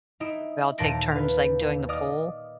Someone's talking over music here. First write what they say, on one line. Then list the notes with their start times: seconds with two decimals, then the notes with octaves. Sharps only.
we all take turns, like, doing the pool.
0.20 D#4 E4 D#5 D7 E7
0.78 D#2 A#2 A5 A#6 D7
1.11 B4 F5
1.89 D5 D#5 F5 D#6 F6